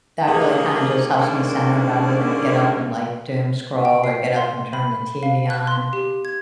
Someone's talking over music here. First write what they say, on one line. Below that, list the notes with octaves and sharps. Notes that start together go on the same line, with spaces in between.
that really kinda just helps me center rather than get up and, like, doom scroll or get up and turn the TV on,
A3 A#3 D#4 G4 G#4
D3 D#3 G#3 A#3 C#4 D4
G5
C7
C6
B5
F5
F#6
C6
G4
G#6